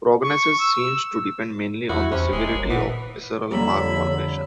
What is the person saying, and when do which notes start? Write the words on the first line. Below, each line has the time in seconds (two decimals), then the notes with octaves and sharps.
Prognosis seems to depend mainly on the severity of visceral malformations.
0.23 C#6
0.60 E6
1.89 E2 E4 F#4
2.12 E2 C3 C#4
2.32 D1 G#3
2.55 G#1 D#2
2.70 A#2 E3 B3
3.51 F2 D3 G3 A#3 C#5 E5 B5